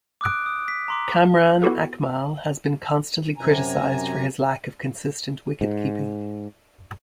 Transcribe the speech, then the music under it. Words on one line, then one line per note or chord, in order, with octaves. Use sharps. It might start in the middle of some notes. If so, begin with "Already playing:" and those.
Kamran Akmal has been constantly criticized for his lack of consistent wicket-keeping.
D6 D#6 F#6 D7
D#6
B6
A#5 C6 D6
B3 E4 F#4 G4 A4 B4
F#2 C3 G#5 A#5
G#2